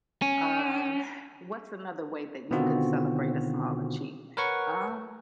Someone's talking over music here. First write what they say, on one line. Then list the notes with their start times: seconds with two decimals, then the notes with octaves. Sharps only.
Um, what's another way that you could celebrate a small achievement? Um
0.22 C#4
2.51 B2 D3 D#3 C4 F4 F#4
4.37 A#4 B4 C#5 F#5 C#6